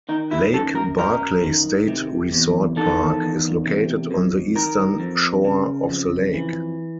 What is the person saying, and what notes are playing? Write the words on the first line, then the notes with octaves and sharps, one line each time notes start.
Lake Barkley State Resort Park is located on the eastern shore of the lake.
D#3 D#4
E4
F#2 A4
A#4
F#2 A#4
D#3
C3
E2
D#3 A4
E2
C3
F2
D#3 A#4
F2
C#3
F2
E3